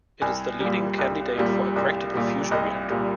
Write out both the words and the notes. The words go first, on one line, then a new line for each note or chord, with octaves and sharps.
It is the leading candidate for a practical fusion reactor.
C2 G#5
A#2 G3
C2
A#2 G3
C2
A#2 G3
C2 D#5
A#2 G3